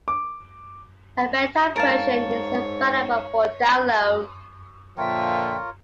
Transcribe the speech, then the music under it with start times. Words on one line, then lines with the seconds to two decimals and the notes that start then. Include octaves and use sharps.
A beta version is available for download.
0.08 D6
1.76 G#2 A#4 C#5 F5 A5 A6 E7
4.97 A#2 D3 F3 F4 A#4 C#5 E5 G5